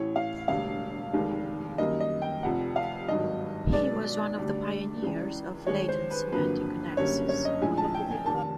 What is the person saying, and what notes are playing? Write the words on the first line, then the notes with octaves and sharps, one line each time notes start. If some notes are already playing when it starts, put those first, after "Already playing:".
He was one of the pioneers of Latent semantic analysis.
Already playing: A1 A2 E3 C#5
F5
E1 D2 D3 G3 F5
F1 D#2 D#3 G#3
F#2 D#3 G3 A#3 D#5
D#5
G5
F1 F2 C3 F3 F#5
F5
G#1 G2 D#3 F#3 D#5
B1 B2 G#3 D5
D2 D3 G3
C#2 C#3 E3 G#3
D#2 D#3 G#3 C#5
C5
B4
G1 F2 D3 F#3 A#3 B4
F#1 F#2 D3 G3 A#3 C#5
C#5
D#5
A#1 A2 F3 G#3 G#5
A5
G5
G#5
F1 D#2 D#3 A5